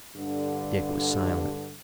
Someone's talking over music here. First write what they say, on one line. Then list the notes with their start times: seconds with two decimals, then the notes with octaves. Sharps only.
Dick was silent.
0.14 G2 D3